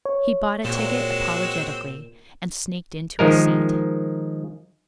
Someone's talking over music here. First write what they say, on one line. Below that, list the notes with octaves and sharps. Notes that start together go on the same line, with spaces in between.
He bought a ticket apologetically and sneaked in to his seat.
C#5
A#2 G#3 C4 F#4 E7
D#3 F3 G#3 A#4